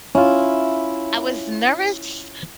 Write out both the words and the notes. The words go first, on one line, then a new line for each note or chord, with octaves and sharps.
I was nervous
C#4 E4 F4